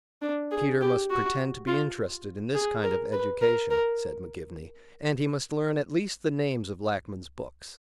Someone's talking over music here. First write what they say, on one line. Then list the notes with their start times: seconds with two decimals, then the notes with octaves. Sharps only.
Peter must pretend to be interested in this kind of "education," said McGivney, and he must learn at least the names of Lackman's books.
0.22 D4
0.51 G#4
0.81 G4
1.10 F#4
1.67 F4
2.55 G#4
2.83 A#4
3.12 B4
3.42 A#4
3.70 A#4